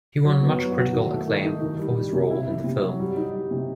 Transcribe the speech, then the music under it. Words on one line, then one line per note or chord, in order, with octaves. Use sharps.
He won much critical acclaim for his role in the film.
F#3
B3
F#3
F#4
D#3
A3
D#3
D#4
D#3
G3
G3
C3
E4
E4
C3
F#3
G3
D#4
G3
C3